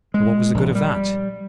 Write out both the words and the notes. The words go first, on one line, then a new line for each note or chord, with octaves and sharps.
But what was the good of that?
G#3
A#1
G3